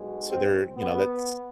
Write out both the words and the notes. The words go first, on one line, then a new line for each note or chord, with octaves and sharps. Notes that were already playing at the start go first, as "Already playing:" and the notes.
So they're you know, that's
Already playing: B1 B2 G#3
C4
B3